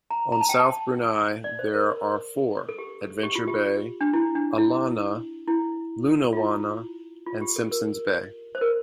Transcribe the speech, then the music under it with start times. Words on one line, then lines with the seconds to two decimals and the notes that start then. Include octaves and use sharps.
On South Bruny there are four: Adventure Bay, Alonnah, Lunawanna and Simpsons Bay.
0.10 A#5
0.32 A#5
0.41 A5
0.49 G5
0.59 A5
1.44 D5
1.59 C5
1.68 A4
1.74 A#4
2.69 A4
2.79 G4
3.01 A4
3.23 G4
3.35 F4
3.48 G4
4.01 D4
4.13 E4
4.35 D4
4.58 E4
5.48 E4
6.33 F4
6.37 E4
7.26 F4
7.41 G4
7.56 A4
7.72 A#4
8.55 C5
8.61 A#4